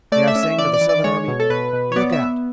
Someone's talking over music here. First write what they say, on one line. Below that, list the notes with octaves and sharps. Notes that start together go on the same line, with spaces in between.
They are saying to the Southern army: 'Look out!
A3 D5
E5
C#4
E5
E3 D5
D5
E3
D5
G#3 C#5
B2
A4
B2 B4
B2
C#5
B3 D5
E5
B3